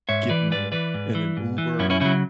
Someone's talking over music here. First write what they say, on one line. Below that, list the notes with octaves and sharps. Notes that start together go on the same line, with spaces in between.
get in the in an Uber,
G#2 C#5 E5
E3 B4 D5
G#2 B4 D5
E3 B4 D5
G#2
E3
G#2
E3
F#2 C#4 E4
C#4 E4
C#3 F#3 C#4 E4